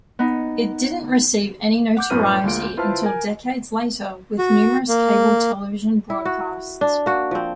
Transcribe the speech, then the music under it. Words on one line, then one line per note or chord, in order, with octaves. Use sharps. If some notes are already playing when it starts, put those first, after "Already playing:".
It didn't receive any notoriety until decades later with numerous cable television broadcasts.
B3 D#4
F#5 D6 G6
F#2 A2 B4 F6 D#7
D2 G#3 A#3 F4 D7
E4 F4 B4 C5 A5 F6
A#4 G#5
F#4
A#3
E4
F#4
D4
A#3 F#4
F3 C4